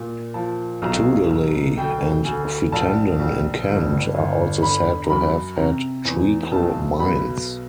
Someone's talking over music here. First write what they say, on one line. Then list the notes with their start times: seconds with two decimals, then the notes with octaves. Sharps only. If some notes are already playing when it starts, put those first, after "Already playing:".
Tudeley and Frittenden in Kent are also said to have had treacle mines.
Already playing: A#2
0.34 F3 A5
0.82 B1 A#5
1.29 B1
1.77 D2 G5
2.25 D2 G#5
2.72 A#1 A5
3.19 A#1
3.67 G1
4.14 G1
4.62 D3 B5
5.04 A#5
5.09 F#2 B5
5.56 C3 A#5
6.05 E2
6.51 B1 A5
6.99 B2 B5